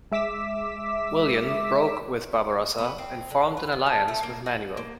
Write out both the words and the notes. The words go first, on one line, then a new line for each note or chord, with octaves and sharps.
William broke with Barbarossa and formed an alliance with Manuel.
G#3 E5 D6 B6 E7
B3
C4
D3
B4
B3
A5
A3
A#3
F#4
A#3